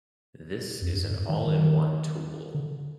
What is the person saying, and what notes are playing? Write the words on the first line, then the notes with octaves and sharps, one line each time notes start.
This is an all-in-one tool.
F2
G2
G#2
D#3
D#3
D3